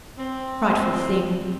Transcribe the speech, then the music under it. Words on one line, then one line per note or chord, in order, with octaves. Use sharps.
Frightful thing!
C4